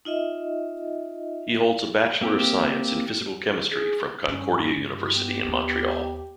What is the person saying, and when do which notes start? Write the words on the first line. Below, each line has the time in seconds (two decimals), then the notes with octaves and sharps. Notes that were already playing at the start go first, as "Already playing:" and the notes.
He holds a Bachelor of Science in Physical Chemistry from Concordia University in Montreal.
0.05 D#4 F4 D#5 E5
2.21 A#3 C4 G4
3.71 G#4
4.27 G2 C#4
4.78 G2
5.15 B3 G4
5.44 D#2 A3